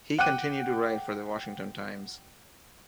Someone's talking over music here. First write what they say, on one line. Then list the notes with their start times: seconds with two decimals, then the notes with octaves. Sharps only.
He continued to write for "The Washington Times".
0.18 F#5 G5 D6 F#6 D#7